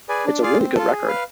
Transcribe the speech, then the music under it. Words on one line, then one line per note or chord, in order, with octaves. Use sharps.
It's a really good record.
G#4 B4 D5 G#5
D4
F4 G#4 D5 F5
C4
F4 A4
G#4
B4 F5